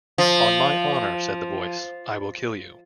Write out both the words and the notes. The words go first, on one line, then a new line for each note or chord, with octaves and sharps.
"On my honour," said the Voice, "I will kill you."
F3